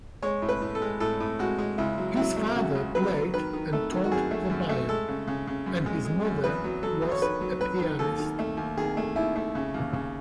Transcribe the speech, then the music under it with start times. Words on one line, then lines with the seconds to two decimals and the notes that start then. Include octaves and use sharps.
His father played and taught the bayan, and his mother was a pianist.
0.22 G#3 C#5
0.42 A2
0.49 B4
0.61 A2
0.75 A4
0.82 G#3
1.00 A2 A4
1.20 A2
1.39 G#3 F#4
1.58 G#3
1.78 C#2 E4
1.98 F#3
2.17 F#3 E4
2.36 A3
2.56 C#3 F#4
2.75 C#2
2.95 F#3 B4
3.14 F#3
3.34 D#3 B4
3.53 D#3
3.73 A3 A4
3.92 D#3
4.04 F#4
4.11 F#2 G#4
4.31 A3
4.49 F#2
4.69 A3
4.89 G#3 A4
5.08 C#3
5.28 C#3
5.47 C#3
5.66 F#2
5.86 G#3
6.05 G#3
6.25 F#2
6.44 E2 B4
6.64 F#3
6.83 F#3 A4
7.02 E2
7.11 C#5
7.22 D#3 B4
7.41 F#3
7.61 F#3 B4
7.81 D#3
7.99 D#2 A4
8.19 D#3
8.39 A3
8.57 D#2
8.77 D#3 G#4
8.97 A3
9.16 D#2 E4
9.36 A3
9.55 C#3
9.74 D#2
9.93 C#3